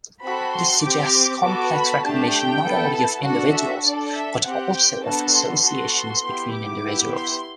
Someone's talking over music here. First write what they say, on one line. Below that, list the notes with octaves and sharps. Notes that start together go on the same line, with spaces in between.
This suggests complex recognition not only of individuals, but also of associations between individuals.
C4 F#4 A4 B5
C6
C4 G4 D6
B3 F#4 A4
B5
A3 D4 G4 A5
G5
B3 E4 A4
A5
D4 F#4 A4 F#5
E5
D4 A4 D5
E5
C4 G4 F#5
G5
B3 D4 F#4 A4 A5
C6
B3 F#4 A4 C6
C6
B3 E4 G4
D6
B3 E4 G4
C6